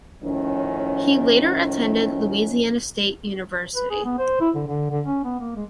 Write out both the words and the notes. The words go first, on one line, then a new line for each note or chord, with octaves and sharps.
He later attended Louisiana State University.
A2 D#3 F3 C#4
B4
G#4
B3
C5
E4
D3
D3
D3
C#4
B3
A#3
G#3